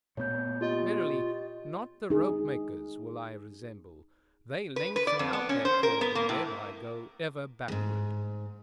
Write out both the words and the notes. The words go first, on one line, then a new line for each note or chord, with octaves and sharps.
Verily, not the rope-makers will I resemble: they lengthen out their cord, and thereby go ever backward.
A#2 A3 B3 C#5 G6
F4 G4 D#5
D#4 G#4
B4
B4
D5
F2
B3
C#4
C5
A#4
B3
A#3
A2
D#2 G#2